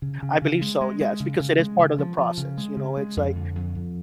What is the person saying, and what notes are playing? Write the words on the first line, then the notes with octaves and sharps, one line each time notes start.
I believe so, yes, because it is part of the process, you know, it's like,
C#3
C#3
C#3
G#3
G#3
G#3
C#3
C#3
G#3
C#3
F3
F3
C#3
G#3
C#3
G#3
F2
D3
F2
F2